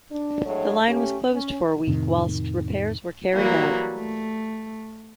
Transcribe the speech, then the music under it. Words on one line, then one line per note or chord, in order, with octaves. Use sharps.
The line was closed for a week whilst repairs were carried out.
D4
A2 F#3 G#3 A3 D4 C#5
A3 C#4 G4
C#4
F2 A2 C3 D#3
E3 F#3 G3 A#3
A3